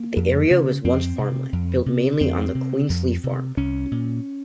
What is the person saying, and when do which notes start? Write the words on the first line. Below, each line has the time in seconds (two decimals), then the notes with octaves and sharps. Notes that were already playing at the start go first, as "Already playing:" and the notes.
The area was once farmland, built mainly on the Queenslie Farm.
Already playing: A#3
0.16 F2
0.51 C#3
0.84 F2 C4
1.18 C3
1.53 F2
1.86 C3
2.21 F2 C4
2.55 C3
2.89 F2
3.24 C3
3.57 C2 C#4
3.91 A#2